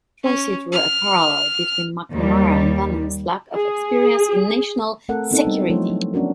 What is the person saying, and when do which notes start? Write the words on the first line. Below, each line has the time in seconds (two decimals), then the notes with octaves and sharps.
Tracy drew a parallel between McNamara and Bannon's lack of experience in national security.
0.24 C#4
0.72 F6
2.13 D#2 G3
3.54 G#4
5.09 A3 C4 A4 A#4 F#5
5.31 B3 C4 D4 D#4 A4
5.45 G3 D#4
5.70 F3 F#3 A3 E4 C5 C#5
5.90 F#3
6.14 B3 C#4 D4 F#4 A#4